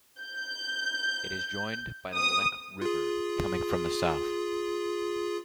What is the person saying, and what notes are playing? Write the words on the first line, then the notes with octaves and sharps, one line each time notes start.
It is joined by the Lech river coming from the south.
G6
D#6
F4 G#4